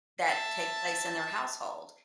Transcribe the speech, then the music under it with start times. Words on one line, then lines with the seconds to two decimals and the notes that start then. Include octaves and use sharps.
that take place in their household
0.22 E5 A5